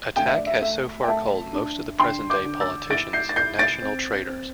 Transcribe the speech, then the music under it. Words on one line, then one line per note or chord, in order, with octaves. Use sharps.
Attack has so far called most of the present-day politicians national traitors.
D2 G5
E5
D5
E5
A3 E5
G5
A3 E5 A5
D4
D3 G5 C6
D6 G6
D3
E6 A6
E4 A6 D7
G6 C7
A6
E4 G6 C7
A6 D7
C4
C4